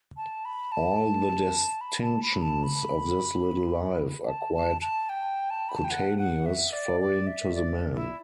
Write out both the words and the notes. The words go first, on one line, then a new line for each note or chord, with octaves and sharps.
All the distinctions of this little life are quite cutaneous, foreign to the man.
A5
B5
A5
B5
A5
B5
A5
B5
A5
A5
A5
G5
A5
B5
A5
G5
F#5
F#5
E5
D5
D5
E5
D5
E4